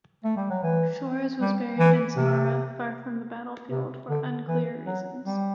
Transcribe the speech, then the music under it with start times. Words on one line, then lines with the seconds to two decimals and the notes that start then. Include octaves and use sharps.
Shchors was buried in Samara, far from the battlefield, for unclear reasons.
0.24 A3
0.37 G3
0.50 F#3
0.63 E3
1.41 G3
1.79 E3
2.17 C3
3.71 C3
4.09 D3
4.48 E3
4.87 F#3
5.25 G3